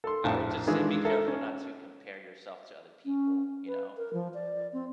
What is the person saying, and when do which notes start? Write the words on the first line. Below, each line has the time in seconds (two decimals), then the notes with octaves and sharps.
I would just say be careful not to compare yourself to other people, you know?
0.04 A4 C6
0.24 A#1 F2 A2 A5
0.67 D#3 E3 G#3 D4 F4
1.05 A4 A#4 E5
1.28 C#4
3.05 C#4
3.67 B4
3.97 A#4
4.13 F3
4.34 D5
4.73 C4